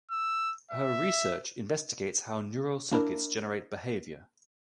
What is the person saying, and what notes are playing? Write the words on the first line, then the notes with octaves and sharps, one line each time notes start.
Her research investigates how neural circuits generate behaviour.
E6
E5
A#3 D4 E4 A#4